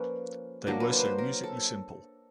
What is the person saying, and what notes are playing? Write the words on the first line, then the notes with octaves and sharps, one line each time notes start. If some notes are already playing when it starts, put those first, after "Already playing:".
They were so musically simple.
Already playing: F3 A#3 C#4 B4
F#3 A#3 D4 A#4
B4
C5
B4
C5
A#4
A4